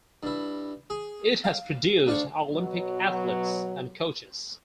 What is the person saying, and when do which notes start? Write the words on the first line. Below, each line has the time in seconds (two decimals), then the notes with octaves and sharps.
It has produced Olympic athletes and coaches.
0.23 G2 E4
0.90 G#4
1.44 F5
2.07 D2 D4 F5 C#6
2.53 B2 F#3